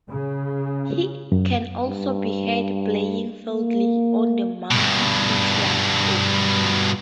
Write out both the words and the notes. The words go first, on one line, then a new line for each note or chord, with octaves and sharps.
He can also be heard playing fiddle on the Monkees' "Sweet Young Thing".
C#3
F#2
G2
A#3
G2 B2